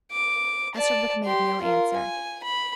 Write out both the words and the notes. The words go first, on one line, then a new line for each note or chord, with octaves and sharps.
Esterbrook made no answer.
D6
D5 A5
G4 C6
F4 A#4
G#5
B5